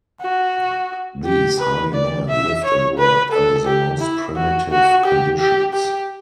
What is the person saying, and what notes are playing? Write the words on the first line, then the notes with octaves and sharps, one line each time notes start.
These hardy men lived and worked under the most primitive conditions.
F#4
G4
B4
D5
E5
C#5
B4
A4
G4
E4
F#4
F#4
G4
G4
G4